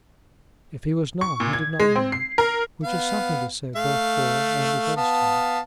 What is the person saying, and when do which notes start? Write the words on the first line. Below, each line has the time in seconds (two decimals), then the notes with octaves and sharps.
If he was not, he did not know it, which is something to say both for and against him.
1.21 C#6
1.40 A#2
1.53 G#6
1.80 G#3
1.96 C4
2.12 C7
2.38 A#4
2.83 B3 F5
3.76 A3 F5
4.97 B3 F5 A5